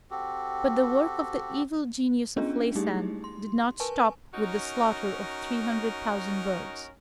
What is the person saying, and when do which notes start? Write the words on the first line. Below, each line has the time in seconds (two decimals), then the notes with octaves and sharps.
But the work of the Evil Genius of Laysan did not stop with the slaughter of three hundred thousand birds.
0.11 C4 F#4 G4 A4
2.37 B3 C#4 D4 F4 G#4 D#5
2.75 G3 A3 D#4 E4 G4 G#4
3.24 C6
3.80 A#4 B4 G#5 A5 C#6
4.34 C#4 D#4 F#4 A#4